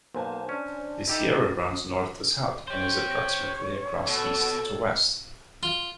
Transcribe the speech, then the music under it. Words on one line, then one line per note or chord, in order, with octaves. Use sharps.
The Sierra runs north-to-south, and is approximately across east-to-west.
B1 A#3 C5 G#5 A5
C#4 D4
D#4 E4 G4 A4
G4 C5 C#5
B2 A4
F4